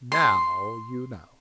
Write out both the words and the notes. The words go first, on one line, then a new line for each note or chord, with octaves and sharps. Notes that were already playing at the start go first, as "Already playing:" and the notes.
Now you know.'
C6